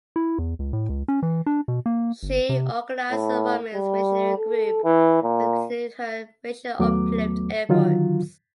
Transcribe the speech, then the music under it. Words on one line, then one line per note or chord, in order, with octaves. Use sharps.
She organized a women's missionary group, and continued her "racial uplift" efforts.
E4
E2
C#2
A2
C#2
C#4
E3
D4
B2
A#3
G1
C3
A2
G3
A4
E3
A#2
D#2 F#3 A3 B3 D6
D3 D#3 F#3 F4